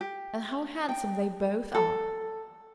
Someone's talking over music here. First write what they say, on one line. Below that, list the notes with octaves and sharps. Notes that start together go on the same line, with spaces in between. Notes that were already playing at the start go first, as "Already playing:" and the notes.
"And how handsome they both are!"
G4
G5
A4